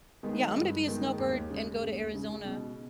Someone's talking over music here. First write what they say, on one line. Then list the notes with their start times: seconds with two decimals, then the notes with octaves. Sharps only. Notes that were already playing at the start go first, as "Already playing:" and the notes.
Yeah, I'm gonna be a snowbird and go to Arizona.
0.23 D#3 G#3 B3 D#4
0.55 G2
0.87 D#3 G#3 B3 D#4
1.18 D#2
1.50 C#3 G#3
1.82 D#2
2.13 C#3 G#3
2.45 B2